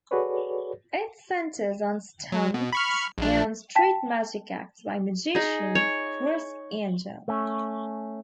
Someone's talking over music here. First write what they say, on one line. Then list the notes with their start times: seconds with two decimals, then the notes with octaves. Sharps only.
It centers on stunts and street magic acts by magician Criss Angel.
0.11 F#4 G#4 A4 B4 C#5 D5
2.32 F#3
2.54 B2
2.73 B5 C#6 F6
3.18 A#1 D4
3.75 G5 A5 B6
5.35 D#4 G#4
5.75 C#5
7.28 A3 C#4